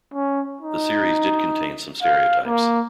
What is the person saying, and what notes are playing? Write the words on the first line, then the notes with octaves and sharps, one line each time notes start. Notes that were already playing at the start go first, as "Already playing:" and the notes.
The series did contain some stereotypes.
C#4
D#4
F5
A#3